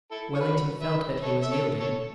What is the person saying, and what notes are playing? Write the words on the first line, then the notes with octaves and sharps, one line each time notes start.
Wellington felt that he was yielding.
E4 A4
C#5
F#4 B4
B4 E5
A4 C#5
E5
A4 C#5
A4 C#5